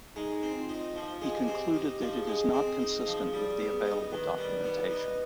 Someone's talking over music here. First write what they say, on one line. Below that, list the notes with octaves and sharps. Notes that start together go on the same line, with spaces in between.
He concluded that it is not consistent with the available documentation.
G#3 D#4
C4
F4
D#4
F3 F4
G#3
G4
C4
D#4 G4
F3
G#4
G#3
C4
D#4
F3
G3
B3
D#4
D#3 B4
G3
B3
D#4